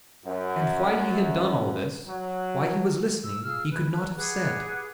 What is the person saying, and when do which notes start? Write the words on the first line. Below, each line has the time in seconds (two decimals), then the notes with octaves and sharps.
And why he had done all this, why he was listening, he could not have said.
0.25 F#2
2.07 F#3
3.22 E6
3.43 F4 G#4 E6 F6
3.69 B4
4.16 G4 G#4 B4 F#5